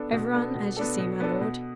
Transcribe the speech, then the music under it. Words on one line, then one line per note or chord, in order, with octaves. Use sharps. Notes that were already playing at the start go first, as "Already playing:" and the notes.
"Everyone, as you see, my lord."
Already playing: B3 D4 A4
B2
B3 D4 A4
B2
B3 D4 A4
B2
B3 D4 A4
B2